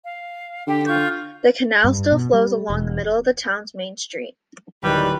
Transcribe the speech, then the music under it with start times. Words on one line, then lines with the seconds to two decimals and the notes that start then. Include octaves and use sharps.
The canal still flows along the middle of the town's main street.
0.04 F5
0.67 D3 G4 G5
0.86 F4 C#6 G6
1.84 G2
2.12 B2
2.33 G3
2.70 E1
4.83 D1 D#3 G3 B4